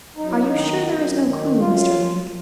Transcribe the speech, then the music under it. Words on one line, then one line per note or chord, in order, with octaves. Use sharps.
"Are you sure there is no clue, Mr. Link?"
F#2 D#4
E4
D#4
D#3
F#2
D#3
F#2 F4